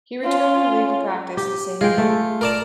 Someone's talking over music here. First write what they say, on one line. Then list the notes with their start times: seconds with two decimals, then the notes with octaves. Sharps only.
He returned to legal practice the same year.
0.24 C#4 F4
1.37 G4
1.81 G#3 F4 G5
1.98 A3
2.41 A#4 D5 A5